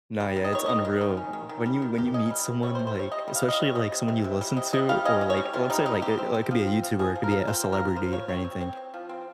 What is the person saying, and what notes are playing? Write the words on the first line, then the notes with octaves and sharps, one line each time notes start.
Nah, yeah, it's unreal, w when you when you meet someone, like especially, like, someone you listen to, or, like, let's say, like, eh, like could be a YouTuber, it could be a celebrity or anything.
G3
D#3
D#5
D#3 C#5
G3 D#5
D#3
D#3
C#4
D#3
D#3
G3
D#3
D#3 G4
C#4 D#5
G3
C3
G3 C#5
C5
C3
C5
G3 C#5
C3 D#5
G3
F5
G3 D#5
G3 C#5
G3 D#5
C3
C3
C3
G3
C3 D#5
C3 D#5
G3 F5
C#4 D#5
C#4
C#5
G3
C3 F4
G3 D#4
C3 D#4
C4 G4
C4
C4
F3
C4
F3
F3 G#4
F3
A#4
F3
C4 C5
F3
A#4
F3
F3 C5
F3 C#5
C4 C#5
C4
C4
C4
F3
C4